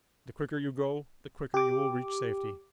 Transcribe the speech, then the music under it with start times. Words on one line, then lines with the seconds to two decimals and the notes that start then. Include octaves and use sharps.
"The quicker you go, the quicker you will reach safety."
1.54 G4 D6